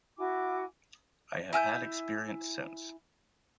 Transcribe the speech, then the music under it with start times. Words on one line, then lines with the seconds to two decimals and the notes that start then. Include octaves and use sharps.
I have had experience since.
0.17 E4 F#4 G#5 D6
1.53 E4 G#5 F6 G6